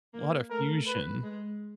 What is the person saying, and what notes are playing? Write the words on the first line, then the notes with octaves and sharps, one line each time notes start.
lotta fusion.
A#3
A3 A#4
B4
G#3